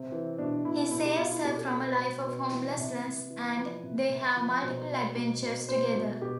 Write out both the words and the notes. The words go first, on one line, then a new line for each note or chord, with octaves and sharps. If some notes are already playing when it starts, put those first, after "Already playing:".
He saves her from a life of homelessness and they have multiple adventures together.
Already playing: C3 C4
E3
B2 D4
B2 E4
B2 E4
G4
B2 F4
E4
B2 G4
A4
B2
B4
B2 C5
B2 B4
E3 B4
C3
C3
E3
F3 B4
C3
C3
F3
B2 C5
B2
B2
B2
B2 C5
B2
B2 G4